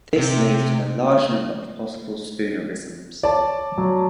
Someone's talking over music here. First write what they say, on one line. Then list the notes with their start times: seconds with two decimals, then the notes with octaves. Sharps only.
This leads to large number of possible spoonerisms.
0.18 C3
3.23 C#5 D5 A5
3.78 F#3